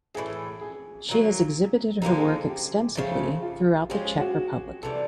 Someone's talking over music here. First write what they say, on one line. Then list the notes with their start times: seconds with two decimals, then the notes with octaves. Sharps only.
She has exhibited her work extensively throughout the Czech Republic.
0.15 A2 E3 A3 G#4
0.61 G#4
1.08 D#3 F#3 A#3
2.02 D3 F3 A#3 D#4 G4
2.18 G#4
2.34 A4
2.49 G4
2.95 C#3 F3 A3
3.43 F4
3.89 F3 G#3 C#4 G4
4.05 G#4
4.20 F#4
4.83 C3 E3 G3 A4